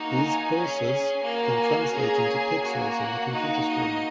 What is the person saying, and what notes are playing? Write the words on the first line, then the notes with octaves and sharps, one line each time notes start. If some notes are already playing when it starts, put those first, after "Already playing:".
These pulses can translate into "pixels" on the computer screen.
Already playing: A#3 D#4 F#4
G#5
C#4 G#4
G#5
A#3 F#4
G#5
A#3 C#4 G#4 A#5
G#5
A#3 F#4
F#5
A#3 D#4 F#4
D#5